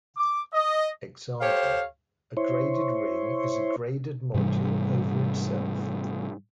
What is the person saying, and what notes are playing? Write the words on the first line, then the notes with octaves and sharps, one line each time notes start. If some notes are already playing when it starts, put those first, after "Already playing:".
Example: a graded ring is a graded module over itself.
D6
D#5
G4 A4 C5 C#5 F5
E4 C5 C#5
G#2 C3 E3 G3